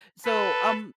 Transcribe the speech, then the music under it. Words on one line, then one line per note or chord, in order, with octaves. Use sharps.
so, um,
A4 B4